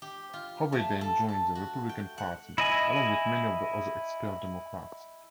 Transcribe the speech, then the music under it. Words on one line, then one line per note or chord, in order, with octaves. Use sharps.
Hovey then joined the Republican Party, along with many of the other expelled Democrats.
G4
F4
A3
A4
A4
F#4
G5
F#5
E4 D#5 G#5